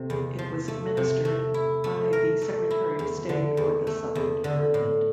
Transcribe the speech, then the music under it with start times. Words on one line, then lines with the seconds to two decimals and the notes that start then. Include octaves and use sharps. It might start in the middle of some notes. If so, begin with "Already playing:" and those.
It was administered by the Secretary of State for the Southern Department.
Already playing: C3 A3
0.10 E2
0.39 F3
0.68 A3
0.97 C3
1.25 A3
1.54 E4
1.84 A3
2.13 A#4
2.42 A3
2.71 E4
2.99 E2
3.29 D3
3.57 E2
3.87 A3
4.15 E2
4.44 D3
4.74 A2